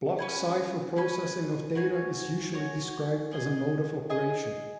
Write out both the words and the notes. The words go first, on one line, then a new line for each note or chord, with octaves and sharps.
Block cipher processing of data is usually described as a mode of operation.
C#4 B4 G#5
C#4 B4 G#5
F#4 C#5 G#5
F#4 C#5 G#5
G#4 D#5 G#5
G#4 D#5 G#5